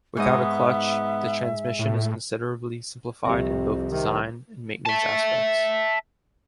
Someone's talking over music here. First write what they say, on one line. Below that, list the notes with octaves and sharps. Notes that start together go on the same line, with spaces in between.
Without a clutch, the transmission is considerably simplified in both design and maintenance aspects.
G#2 B3 D#5 E5
A2
C2 F2 G4 E5
C3 D#3
E5 A5